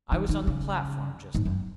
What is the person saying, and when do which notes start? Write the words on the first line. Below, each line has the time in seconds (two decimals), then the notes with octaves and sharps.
I was on the platform just then.
0.12 D#3
0.29 D#3
0.47 C#3
1.35 G#2
1.45 F#2